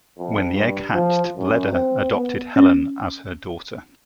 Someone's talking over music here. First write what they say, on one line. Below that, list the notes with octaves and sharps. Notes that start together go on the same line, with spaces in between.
When the egg hatched, Leda adopted Helen as her daughter.
F2
G2
F3
F#2
C4
B3
C#4